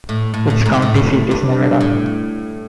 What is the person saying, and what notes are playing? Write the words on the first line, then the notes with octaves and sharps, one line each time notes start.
Its county seat is Nevada.
A2
A2
A2
G#2
A2
G2
A2